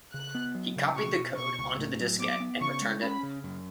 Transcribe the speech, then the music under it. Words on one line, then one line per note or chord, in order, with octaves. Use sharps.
He copied the code onto the diskette and returned it.
C#3 F#6
B3
F#3
C#3
B2 C#6
B2
B2 C#6
C#2
A2
F#3
B3 D6
B3
C#3 C#6
G#3
C#4 B5
C#3
F#2